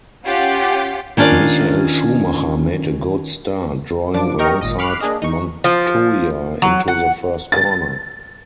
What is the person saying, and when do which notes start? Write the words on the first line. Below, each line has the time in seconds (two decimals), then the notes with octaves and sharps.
Michael Schumacher made a good start, drawing alongside Montoya into the first corner.
0.24 C#4 F4 G4 F#5
1.17 D#3 C#4 D4 F4 D5
4.14 F3 D4 D6
4.39 G4 A#4 D#5 G5 A#5 C#6
4.61 G#1 A#2 D#5
4.78 B5 C#6 D6 F6 F#6 C7
5.01 A#3 D4 G#4 D#5
5.22 D#4 C#6
5.64 F3
6.62 F#3
6.88 F#5
7.52 A6